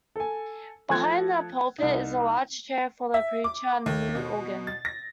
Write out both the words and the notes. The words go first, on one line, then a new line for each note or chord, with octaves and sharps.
Behind the pulpit is a large chair for the preacher and the new organ.
A4 G#5
F3 A3 A4 F#6 G#6
C2 D#4
E5
D6
D#2
B2
A6
A#6